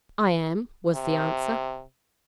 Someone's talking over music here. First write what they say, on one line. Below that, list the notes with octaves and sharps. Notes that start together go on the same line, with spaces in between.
"I am," was the answer.
C3